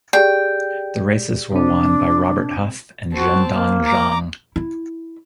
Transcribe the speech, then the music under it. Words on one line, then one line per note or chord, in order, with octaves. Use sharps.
The races were won by Robert Huff and Zhendong Zhang.
G4 G#4 D5 G5
C3 C4 D4
C4 F#4 A5
A#3
A#5 D6
E4